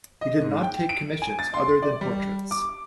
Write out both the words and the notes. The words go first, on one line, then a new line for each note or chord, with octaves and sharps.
He did not take commissions other than portraits.
D#5
G#2
G5
D7
G#5
A6
C6
D5
G3
D6